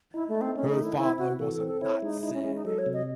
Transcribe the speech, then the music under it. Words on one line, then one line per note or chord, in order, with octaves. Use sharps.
Her father was a Nazi.
D#4 E4
A3
D#4
C4
A3 C#4
D#4
D#3
E4
C4 E4
C3 F#4
E3 A4
A4
C4
A4
E4 C#5
G#3 D#4
D#4 E4
C#4
G#3 C#4
D#4
F#3 A4
C#5
C3
D#5